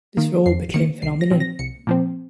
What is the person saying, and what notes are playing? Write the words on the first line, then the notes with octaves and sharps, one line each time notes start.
This role became phenomenon.
D#3 A#3
F2 C7
D#3 A#3 C#7
C2 C7
A#6
A#2 F3 C4
A#6
C2 C#7
A#2 F3 C4